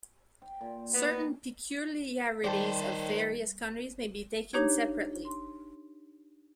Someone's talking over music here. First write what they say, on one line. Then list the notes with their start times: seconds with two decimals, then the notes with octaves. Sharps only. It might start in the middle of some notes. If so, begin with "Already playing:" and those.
Certain peculiarities of various countries may be taken separately.
0.42 G5
0.61 A#2
0.94 B3
2.44 D#3 G3 B4 C5 D5 G5 A5
4.53 D4 D#4 G4 C#5 A#5 G#6
5.25 C6